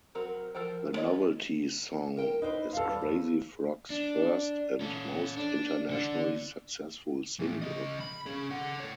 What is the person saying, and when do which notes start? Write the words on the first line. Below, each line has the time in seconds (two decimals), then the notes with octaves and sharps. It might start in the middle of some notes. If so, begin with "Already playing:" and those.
The novelty song is Crazy Frog's first and most internationally successful single.
0.15 F#3 C4 F#4 A#4
0.55 F3 A4 A#4 C5 G5
0.93 B3 E4 F4 C#5 D#5
2.17 A#4 G5
2.42 D#4 E4 B4 C5
2.73 E2 G#2 A4 F5
2.87 E2 G3
3.01 F2
3.90 D4
4.81 C#4 A4
5.37 D4
5.91 D3 D4
7.39 E3 A3
7.62 C#3 D#5
8.00 B5
8.26 C#4 G#4
8.51 A4 F#5
8.80 A2 C#5